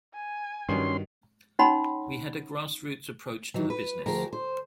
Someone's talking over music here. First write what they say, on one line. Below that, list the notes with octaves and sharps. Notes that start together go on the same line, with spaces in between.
We had a grassroots approach to the business.
G#5
G2 D#3 F#3 C#4 C6
C#4 D#4 C#5 F#5 B5 C6
D#3 E3 F#3
B4
D2 F3 G4 G#4 A#4
C5